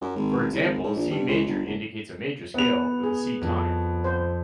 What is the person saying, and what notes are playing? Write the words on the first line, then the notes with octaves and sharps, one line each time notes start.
For example, C major indicates a major scale with a C tonic.
F#2
G#1
C2
G#1
G#2
A#1
G2
C#2
G1
F#1
B3 F7
G#4
F2
C5